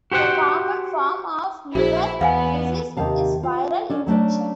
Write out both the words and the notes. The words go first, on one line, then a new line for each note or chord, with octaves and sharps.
A common form of liver disease is viral infection.
F#4 G4 C5 F#5 G5
A#1 E4 F#4 G#4 C5
E2 B3 F5 F#5 G#5
D#2 C3 D#3 F5 A5
F4
C#4 D4 A4
F#3 A3 C#4 D4